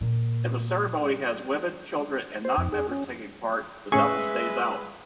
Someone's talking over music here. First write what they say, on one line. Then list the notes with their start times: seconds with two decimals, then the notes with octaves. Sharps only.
If a ceremony has women, children and non-members taking part, the devil stays out.
0.01 A#2
2.45 C5
2.57 F2
2.72 G#4
2.91 C#4
3.92 A2 G#3 C#4 G#4 B4 E5 C#6